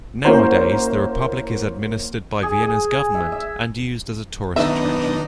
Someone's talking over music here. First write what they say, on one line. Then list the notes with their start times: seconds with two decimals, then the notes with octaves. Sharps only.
Nowadays, the Republic is administred by Vienna's government and used as a tourist attraction.
0.24 A#3 C#4 E4 F#4 C5 A#5
2.43 G#4
2.63 G#4
2.92 G#5
3.14 E5
3.32 E5
4.56 F#2 D#3 B3 D4 D#4 D#5 E5